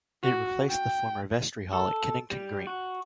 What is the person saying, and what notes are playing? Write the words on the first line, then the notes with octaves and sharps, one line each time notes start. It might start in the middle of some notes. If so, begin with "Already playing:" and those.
It replaced the former Vestry Hall at Kennington Green.
F#4
G5
A4
G3
F#4